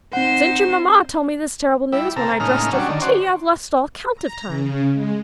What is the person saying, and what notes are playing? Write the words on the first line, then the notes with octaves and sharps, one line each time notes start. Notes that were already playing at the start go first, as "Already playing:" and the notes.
'Since your mamma told me this terrible news, when I dressed her for tea, I've lost all count of time.
C4 D#4 C5 F#5
G3 E4
C3 A4 A#4
A2 C#3 G#3 A#3 D#4 F6
F#3 G3 C#4 D4
D3 D#3
C#4 F#4 C5 D5
A#5
C#3
G#3